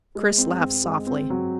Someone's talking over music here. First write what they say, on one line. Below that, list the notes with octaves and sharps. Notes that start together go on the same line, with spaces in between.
Chris laughed softly.
G#3
C4
C4
G#3
C4
F#3